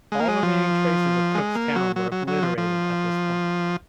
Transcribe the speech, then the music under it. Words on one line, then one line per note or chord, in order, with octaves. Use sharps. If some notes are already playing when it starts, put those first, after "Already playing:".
All remaining traces of Cooke's town were obliterated at this point.
G#3
A#3
G#3
F3
G#3
A#3
F#3
F#3
F#3
F#3
F3
F3